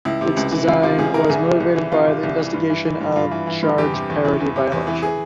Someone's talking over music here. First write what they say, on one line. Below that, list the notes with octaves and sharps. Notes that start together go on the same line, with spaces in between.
Its design was motivated by the investigation of Charge Parity violation.
C#2 E4
C3
C#2
E3
C#2 F4
C3 F4
C#2 G#4
E3 A#4
C2 G#4
C3
C2
E3
C2 F4
C3
C2
E3
G2
E3
E3
G2
G2 F4
E3
E3
G2
E2 G4
C3
E2
E3
E2
C3
E2
E3
G#4